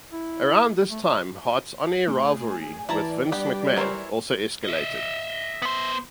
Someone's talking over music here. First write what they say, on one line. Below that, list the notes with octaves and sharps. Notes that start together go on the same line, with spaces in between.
Around this time, Hart's on-air rivalry with Vince McMahon also escalated.
E4
A3
A2 G#4
E3 E4 D5 A5 A#5
G3 B3 D4 G4
E3 F#3 E4 A#4 C5 C#5
D#5 E5
B3 C5